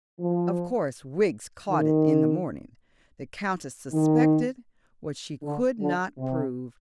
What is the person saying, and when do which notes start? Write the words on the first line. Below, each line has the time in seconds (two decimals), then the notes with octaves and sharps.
Of course Wiggs caught it in the morning; the Countess suspected what she could not prove.
0.20 F3
1.69 D#3
3.92 D#3
5.43 D3
5.79 D3
6.18 C3